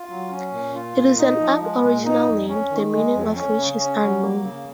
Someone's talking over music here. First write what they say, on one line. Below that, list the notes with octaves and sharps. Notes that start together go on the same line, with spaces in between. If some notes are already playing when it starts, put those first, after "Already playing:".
It is an Aboriginal name, the meaning of which is unknown.
Already playing: F4
F#3
C#4
A#2
F4
A#2
D#4
F3
G#3
A#2
D#4
F2
C#4
D#3
G#3
F2
C#4
C#3
C#4
F#3
A#3
C#3